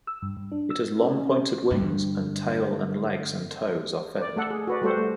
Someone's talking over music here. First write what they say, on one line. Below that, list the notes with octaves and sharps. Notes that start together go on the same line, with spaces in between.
It has long pointed wings and tail and legs and toes are feathered.
E6
G2
G2
D4
E6
C#4
G2 D3
D5
A3 A4 F#5
G#4
F#4 B4 D5
G3 A3 F#4 A4 C5 F#5
A3